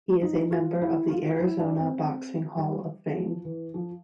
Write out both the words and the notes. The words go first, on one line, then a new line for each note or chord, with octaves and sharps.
He is a member of the Arizona Boxing Hall of Fame.
D#4
F4
E4
F4
E4
D4
C4
G3
F3
E3
F3